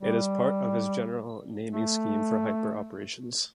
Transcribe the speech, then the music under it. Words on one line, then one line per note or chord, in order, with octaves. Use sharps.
It is part of his general naming scheme for hyperoperations.
G3
A3